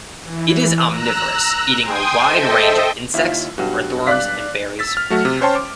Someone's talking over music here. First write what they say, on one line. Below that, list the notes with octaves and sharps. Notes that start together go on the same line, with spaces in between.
It is omnivorous, eating a wide range of insects, earthworms and berries.
E3
A#5 E6 F#6
G5 G#5 C6 D#6 G#6
A4 C5 D#5 E5 G5
D#2 E4 F4
B1 G2 F#4
D5 F5 F#6 B6
E6 A6 B6
F6
F#3 A3 F#4
C3
C#4 C5 C#5 G5 A5 C6
D6